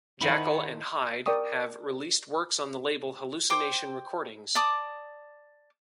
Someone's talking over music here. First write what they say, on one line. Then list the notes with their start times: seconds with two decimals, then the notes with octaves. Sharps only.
Jackal and Hyde have released works on the label Hallucination Recordings.
0.21 D#3 E4 C5 F#5 A5 B5
1.26 A#4 D5 G5 C#6 D#6
3.50 C5 G5 D6
4.55 D5 A5 D6 D#6